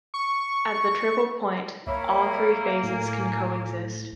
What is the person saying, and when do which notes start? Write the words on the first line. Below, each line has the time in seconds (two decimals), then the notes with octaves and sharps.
At the triple point, all three phases can coexist.
0.14 C#6
1.87 C2 A#3 C#5 E5 B5
2.83 A2 G#5